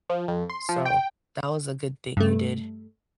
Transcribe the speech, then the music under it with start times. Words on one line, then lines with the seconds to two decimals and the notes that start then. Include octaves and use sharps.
So that was a good thing you did.
0.10 F3
0.28 F2
0.50 C6
0.69 F3
0.85 G5
2.17 G2 A3